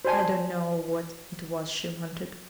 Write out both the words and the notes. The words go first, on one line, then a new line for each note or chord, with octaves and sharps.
I don't know what it was she wanted!
F#4 C5 D5 G#5 A5